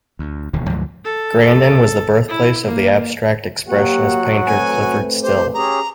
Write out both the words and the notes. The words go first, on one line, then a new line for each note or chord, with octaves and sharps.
Grandin was the birthplace of the abstract expressionist painter Clyfford Still.
D2
E1 D#2 B2 D3
D2 G#2 F3 F#3
A4
E4
A#3
F#3 A#3 F#4 G4 F#5
A3 C4 B4 G#5
G4 C5
C#4 G4 G#4 A#5